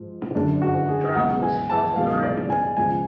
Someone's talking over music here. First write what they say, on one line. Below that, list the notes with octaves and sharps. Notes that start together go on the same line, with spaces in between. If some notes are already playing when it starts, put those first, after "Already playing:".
A cold drought was felt in the room.
Already playing: G#2 F3
F#2 D3 F#3 D4
F#4
G#4
C#2 B2 F#3 F#5
G#5
A5
C#2 B2 F#3 F5
D5
G#5
C#2 C#3 F3 G#5